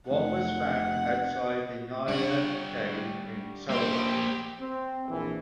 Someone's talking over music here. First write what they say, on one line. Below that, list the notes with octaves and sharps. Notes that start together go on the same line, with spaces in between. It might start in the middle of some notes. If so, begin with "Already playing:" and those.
One was found outside the Niah Cave in Sarawak.
F1 F#5
G3 D4 F#5 C#6
A#3 G4 C5
C4
A#1 E3